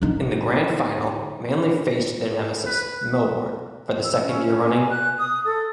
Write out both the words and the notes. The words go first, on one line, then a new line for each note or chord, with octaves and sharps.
In the Grand Final, Manly faced their nemesis Melbourne for the second year running.
D3 D#4
B4
E6
C#4
G#5
F#6
D#6
A4